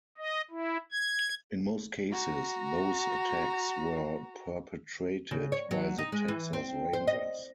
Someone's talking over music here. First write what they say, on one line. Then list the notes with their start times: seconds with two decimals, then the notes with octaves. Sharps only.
In most cases those attacks were perpetrated by the Texas Rangers.
0.18 D#5
0.51 E4
0.92 G#6
2.12 F#4 A#5
5.31 C#3
5.52 C#5
5.71 F#3
5.98 D#4
6.12 G#3
6.28 E3
6.53 C4
6.93 C5
7.07 D#5